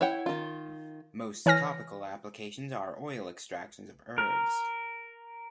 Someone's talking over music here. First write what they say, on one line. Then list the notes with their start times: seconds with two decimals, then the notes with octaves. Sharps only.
Most topical applications are oil extractions of herbs.
0.01 E4 C#5 F#5 G5
0.26 D#3 F4
1.46 E3 C#5 G#5 F6 A#6
4.18 A#4